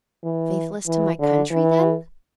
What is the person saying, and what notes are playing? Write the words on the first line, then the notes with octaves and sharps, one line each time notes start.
"Faithless to my country then?"
E3
E3
D3
E3